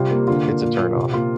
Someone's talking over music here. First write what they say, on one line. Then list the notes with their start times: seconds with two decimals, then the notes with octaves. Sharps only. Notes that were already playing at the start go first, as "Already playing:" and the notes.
it's a turnoff.
Already playing: C3 G3 F4
0.11 A#3
0.27 D3 F4
0.45 A#3
0.62 A#2
0.80 A#2
0.96 C3
1.13 A#3 F4